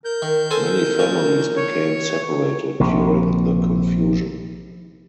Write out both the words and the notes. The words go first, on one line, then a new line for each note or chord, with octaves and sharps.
Many families became separated during the confusion.
A#4 G6
D#3
A4 C5 G#5
A#2 C#4
C#5
A#1 C3